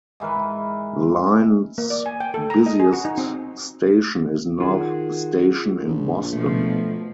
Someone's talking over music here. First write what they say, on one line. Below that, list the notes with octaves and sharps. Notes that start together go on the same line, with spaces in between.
The line's busiest station is North Station in Boston.
G#2 E3 A#4 B4
A#3
D5
G#5
G5
A4
A#5
D#5
G#4
F#4
D#4
C4
D#3 F4 F#4 G#4
A#1
B2 F3 A3